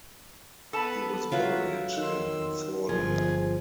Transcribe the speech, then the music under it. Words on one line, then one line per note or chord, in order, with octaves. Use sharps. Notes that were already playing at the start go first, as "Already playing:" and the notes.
He was buried in Vorden.
B3 A4 B4 A5
F#3 F4 B4 E5
D#3 C6 E6
G1 F3 G#4